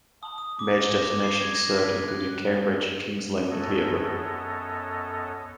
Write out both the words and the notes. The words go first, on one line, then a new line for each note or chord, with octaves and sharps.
Major destinations served included Cambridge, King's Lynn and Peterborough.
D#6
D#6
D6
A#6
D6
C7
G#6
A#6
B6
F#6
F#2 B3 A4 C#5 D#5